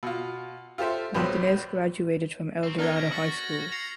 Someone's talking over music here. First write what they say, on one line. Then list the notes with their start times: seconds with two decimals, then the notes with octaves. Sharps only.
Martinez graduated from Eldorado High School.
0.03 B2 F4
0.78 F4 G4 A4 C5 E5
1.14 A#1 F#3 G3 B3 G4 C5
2.63 F#3 C4
2.78 B3 D4 D#4 A#4 F6 G#6
2.96 B2 G4 A#6
3.12 F#4 A6 B6 F#7
3.72 C7 C#7 F7